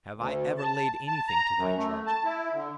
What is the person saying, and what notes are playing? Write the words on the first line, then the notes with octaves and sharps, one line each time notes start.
Have I ever laid anything to Thy charge?
D2
A5
A5
A#5
F#2
A3
A5
E4
D3